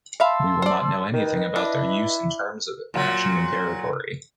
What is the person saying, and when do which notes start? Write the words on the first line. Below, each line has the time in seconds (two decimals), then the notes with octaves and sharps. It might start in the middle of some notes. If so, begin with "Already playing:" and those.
We will not know anything about their use in terms of action and territory.
0.20 E5 F5 A5 B5 C6 E6
0.62 C5 D5
1.13 D#3 B4 D#5
1.56 D4 E4
2.94 A#2 F#3